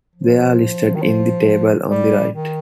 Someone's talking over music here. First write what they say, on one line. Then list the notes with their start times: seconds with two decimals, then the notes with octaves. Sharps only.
They are listed in the table on the right.
0.16 F3
0.95 D#3
1.03 F3
1.89 G3
2.33 D#3